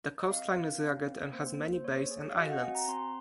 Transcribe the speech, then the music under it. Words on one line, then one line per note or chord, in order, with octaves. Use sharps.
The coastline is rugged and has many bays and islands.
D#5
C4 F5
C4
C4
C4
A#3 C5
A#3
C5
A#3 C#5
G#4
F5
F#4 D#5
F#5
C4 G#5
A#5
C4 C6